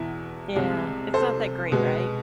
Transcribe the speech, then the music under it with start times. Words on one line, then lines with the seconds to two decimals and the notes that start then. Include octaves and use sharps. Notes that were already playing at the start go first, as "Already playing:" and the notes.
Yeah. It's not that great, right?
Already playing: E2 B2 E4
0.55 C2 C3 G#3
1.14 A4 C5
1.72 B2 G#3 B3